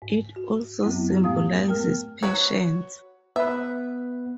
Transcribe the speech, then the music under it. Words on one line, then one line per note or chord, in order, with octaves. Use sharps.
It also symbolizes patience.
G#2
F#4
F#2 F#3 B3 C4 E4
B3 G4
A2 A3 F5 D#6
A3 B3 A#4 G5 F6
F#4 B4 C#5
B3 B4 E5